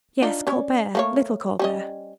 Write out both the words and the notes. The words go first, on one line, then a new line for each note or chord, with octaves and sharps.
"Yes, Colbert, little Colbert."
D4 D#4 F4
C#4 C#5 D5
A3 A#3 C#5
G3 C#4 D#5